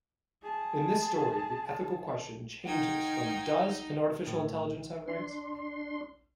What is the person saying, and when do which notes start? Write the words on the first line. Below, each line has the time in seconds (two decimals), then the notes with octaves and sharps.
In this story the ethical question changes from Does an artificial intelligence have rights?
0.42 G#4 A5
2.65 D#3 D#4 F#5 G5 G#6
4.27 A2
5.08 D4 C6